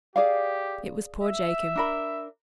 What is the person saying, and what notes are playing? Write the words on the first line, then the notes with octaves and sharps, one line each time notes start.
It was poor Jacob.
G4 G#4 D5 F5
E5
D4 A#4 B5